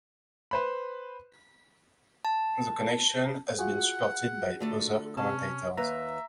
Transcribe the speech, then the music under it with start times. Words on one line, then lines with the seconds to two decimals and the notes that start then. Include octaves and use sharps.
The connection has been supported by some other commentators.
0.51 B4 C5 B5
2.25 A5
3.59 F4 F#4 G#4 F#5
4.60 D3 A3 A4
5.17 C3 C#4 A5
5.77 D#2 B4 E5 A#5